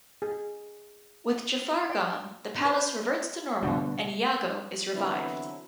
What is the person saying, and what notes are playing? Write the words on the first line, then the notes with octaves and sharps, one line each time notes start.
With Jafar gone, the palace reverts to normal and Iago is revived.
G#4
D5 G5
B4 C5
B2 D3 G3 D4 F#4
D3 E3 F#3 B3 C4 E4